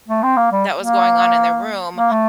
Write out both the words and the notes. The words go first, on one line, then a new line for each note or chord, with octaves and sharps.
that was going on in the room,
A3
C4
A#3
G3
A#3
A#3
A3